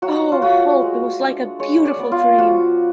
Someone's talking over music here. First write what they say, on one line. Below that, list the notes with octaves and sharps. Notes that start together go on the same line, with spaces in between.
Oh, Hope, it was like a beautiful dream!
F#3 F#4
F4
A3 F#4
G#3
D4
G#3 C#5
D5
B3
F4
F3 F#4